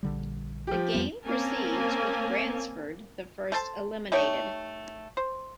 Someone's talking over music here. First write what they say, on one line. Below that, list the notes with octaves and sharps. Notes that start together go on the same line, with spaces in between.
The game proceeds, with Bransford the first eliminated.
A#1 D3 G3
F3 G4
F2 G3 B3
A#3 C4 C#4 A#4 G#5 A5
A3 A4 C5 A5
A3 D#4 G4 C#5
C5